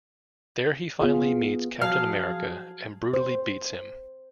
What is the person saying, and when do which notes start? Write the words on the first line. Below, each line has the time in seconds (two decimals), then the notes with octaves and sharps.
There he finally meets Captain America and brutally beats him.
1.00 B3 F4 G#4
1.82 F3 F#3 G#4 F5 A5 F6
3.13 C5